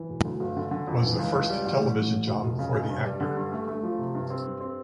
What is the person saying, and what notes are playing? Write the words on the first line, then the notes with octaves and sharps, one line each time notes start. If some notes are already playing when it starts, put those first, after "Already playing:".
Was the first television job for the actor.
Already playing: E3
E1
D2
G1
D3
D3
F2
E3
C#2
C#2
G3
A1
A2
A1
A2
F1
F1
C#3
F1
G2
G3
D3
G2
A3
A3
F3
C3
G2
C4
G2
C4